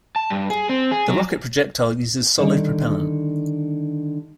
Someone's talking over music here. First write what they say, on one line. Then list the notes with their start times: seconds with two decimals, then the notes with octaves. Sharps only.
The rocket projectile uses solid propellant.
0.16 A5
0.30 G2
0.50 G#4
0.69 C4
0.91 G#4
1.08 F#3
2.38 D3 D#3 G3